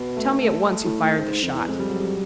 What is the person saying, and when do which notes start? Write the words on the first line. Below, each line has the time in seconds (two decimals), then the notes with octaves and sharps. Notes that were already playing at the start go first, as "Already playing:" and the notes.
"Tell me at once who fired that shot?"
Already playing: B2
0.17 A3
0.42 A3
0.84 A2
1.01 A2
1.17 G#2
1.30 G#2
1.43 F2
1.55 E2
1.68 F2 G#3
1.79 G3
1.89 F#3
2.00 G3